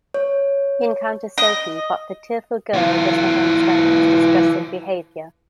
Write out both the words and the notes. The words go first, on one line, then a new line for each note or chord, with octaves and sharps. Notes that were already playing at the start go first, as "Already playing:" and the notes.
He encounters Sophie but the tearful girl does not understand his distressing behavior.
C#5
D#5
E3 F4